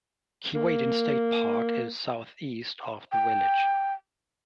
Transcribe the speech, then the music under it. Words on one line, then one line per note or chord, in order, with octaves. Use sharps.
Keewaydin State Park is southeast of the village.
A#3
G5